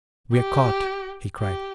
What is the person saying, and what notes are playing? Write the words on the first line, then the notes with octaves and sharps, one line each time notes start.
"We're caught!" he cried.
G4
G4